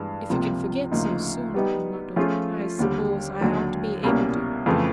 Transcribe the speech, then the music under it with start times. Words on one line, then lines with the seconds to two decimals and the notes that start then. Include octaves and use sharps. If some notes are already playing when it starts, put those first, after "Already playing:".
"If you can forget--so soon," he muttered, "I suppose I ought to be able to."
Already playing: G2 E3 G#3
0.30 C#2 C3 F3 A#3
0.92 D2 C#3 F3 A#3 D#4
1.54 G3 B3 D#4 G4
2.16 F3 A3 C#4 F4 G#4
2.79 D#2 D3 G3
3.41 D#2 D3 F#3
4.03 C2 B2 G3 A#3 C#4
4.66 F2 C#3 E3 A3